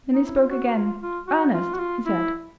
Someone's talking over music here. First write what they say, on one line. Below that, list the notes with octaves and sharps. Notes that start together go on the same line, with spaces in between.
Then he spoke again: 'Ernest,' he said.
D#4
E4
F4
F#4
F#4
F4
F4
F#4
F4
F#4
F4
E4